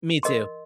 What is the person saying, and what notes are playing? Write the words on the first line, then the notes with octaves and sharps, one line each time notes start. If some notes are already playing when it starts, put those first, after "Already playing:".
Me too.
A#4 D#5 C6